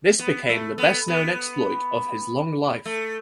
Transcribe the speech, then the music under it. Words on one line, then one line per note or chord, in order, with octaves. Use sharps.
This became the best-known exploit of his long life.
B3
A3
B3
B3
A3